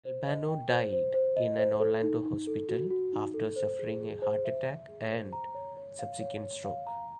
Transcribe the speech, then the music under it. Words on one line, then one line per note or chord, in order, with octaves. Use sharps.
Albano died in an Orlando hospital after suffering a heart attack and subsequent stroke.
C5
D#5
G5
C5
C5
C5
D#5
C5
A4
D#4
D#4
A4
F#4
F#4
D#4
A4
C5
G#4
G#4
C5
E5
E5
G#4
C5
A#5
C#5
C#5
F5
C#5
C#5
F5
A#5